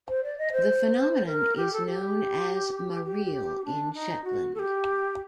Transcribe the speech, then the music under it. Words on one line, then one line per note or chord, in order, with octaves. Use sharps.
The phenomenon is known as "mareel" in Shetland.
C5
D5
D#5
C5
A#4
G4
A4
G4
G4
D4
D#4
F#4
A4
G4